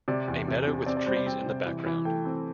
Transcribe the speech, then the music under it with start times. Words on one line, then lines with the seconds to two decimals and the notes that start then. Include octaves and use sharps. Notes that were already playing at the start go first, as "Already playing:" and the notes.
A meadow with trees in the background.
0.08 C3 D5
0.28 E2
0.48 C3
0.68 C3
0.86 C4 D5
0.97 D5
1.06 G3 C5
1.17 D5
1.26 C4 G5
1.46 C3
1.66 E3
1.86 E3
2.05 A3 G5
2.25 C4